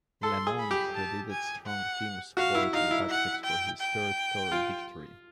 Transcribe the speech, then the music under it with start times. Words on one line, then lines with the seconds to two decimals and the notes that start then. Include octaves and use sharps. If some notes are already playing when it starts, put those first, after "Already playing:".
LeMond credited strong team support and tactics for his third Tour victory.
0.23 A4 C6
0.47 G#4
0.59 B5
0.71 G4
0.94 A5
1.30 G#5
1.66 F#5
2.37 F#4 F5
2.55 E4
2.73 D#4 F5
2.91 E4
3.09 F#5
3.44 G5
3.80 G5
4.52 F4